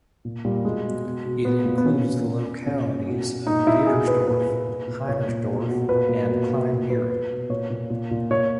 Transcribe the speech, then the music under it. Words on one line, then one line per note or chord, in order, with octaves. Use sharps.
It includes the localities of "Diedersdorf", "Heinersdorf" and "Kleinbeeren".
A#2
A#2 G3
B2 G#3
B2
B2
B2
A#2 B3
A#2
B3
B2 C#4
B2
B2
B2
A#2 C#4
A#2
B2
B2
A#2 D#4
A#2 E4
B2 G#4
B2 B4
A#2 B4
A#2
A#2
A#2
A#2 C#5
A#2
B2
B2
A#2 B4
A#2
B2
B2
A#2
A#2 B4
B2 B4
B2
A#2 C#5
A#2
A#2
A#2
A#2 C#5